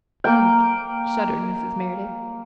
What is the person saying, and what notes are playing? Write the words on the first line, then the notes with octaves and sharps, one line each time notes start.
"Ugh!" shuddered Mrs. Merideth.
A#3 G5